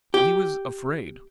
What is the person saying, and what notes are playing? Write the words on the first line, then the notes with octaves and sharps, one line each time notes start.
He was afraid.
G4